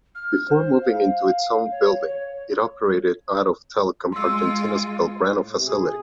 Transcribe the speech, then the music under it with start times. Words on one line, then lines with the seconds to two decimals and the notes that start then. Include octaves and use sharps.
Before moving into its own building it operated out of Telecom Argentina's Belgrano facility.
0.15 F6
0.48 C5
0.83 F5
1.71 C#5
2.07 C#5
4.12 G#3 F4 C6 E6
5.35 A2
5.53 C3
5.66 G#4
5.80 G#4